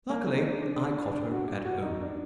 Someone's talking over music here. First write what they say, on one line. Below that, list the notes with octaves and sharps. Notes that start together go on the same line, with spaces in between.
Luckily, I caught her at home.
A#3
C4
D#4
D4
D4
D4
F#4
G4
F#4
D#4
D4